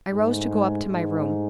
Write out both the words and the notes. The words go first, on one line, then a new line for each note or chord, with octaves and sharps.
I rose to go up to my room.
G#2 G#3
A3
G#3
G#2 G#3
A3